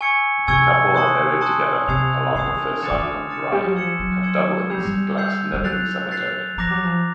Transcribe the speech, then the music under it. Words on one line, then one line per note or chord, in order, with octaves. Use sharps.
The couple are buried together, along with their son Brian, at Dublin's Glasnevin Cemetery.
G#5 C#6 E6 G#6 C#7
C3 G#5 C#6 E6 G#6 C#7
A5 C6 D#6 F#6
A5 C6 D#6 F#6
C3 D#6 G#6 C7 F7
C#3 D#6 G#6 C7 F7
D3
C#3
D3 D6 F6 A6 C#7 E7
D#3
D3
D6 F6 A6 C#7 E7
G3
F#3
F3 C6 E6 G#6 C#7 E7
F#3
C6 E6 G#6 C#7 E7
G3 E6 G6 C7 F7
F#3
G3
E6 G6 C7 F7
G3
F#3 F#6 A6 C7 F7
F#6 A6 C7 F7
F3 A#5 D6 F#6 A#6
F#3
F3